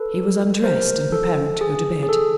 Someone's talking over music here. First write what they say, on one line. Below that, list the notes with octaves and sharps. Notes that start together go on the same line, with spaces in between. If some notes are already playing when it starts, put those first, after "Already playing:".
He was undressed and preparing to go to bed.
Already playing: A4 B4
A#4 C5
A4
G#4
G#4
A4